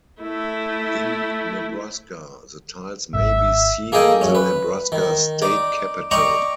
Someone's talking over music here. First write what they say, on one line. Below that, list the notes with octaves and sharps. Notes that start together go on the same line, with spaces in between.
In Nebraska, the tiles may be seen in the Nebraska State Capitol.
A3 E4
G#1 E5
A#3 G#4 A4 D#5 G5 G#5
F#2 C#4
B4
D#3
D#4 D5
D5 D#5 G5 A#5 C#6